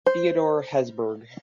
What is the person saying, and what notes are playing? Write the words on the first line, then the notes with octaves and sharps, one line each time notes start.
Theodore Hesburgh.
C5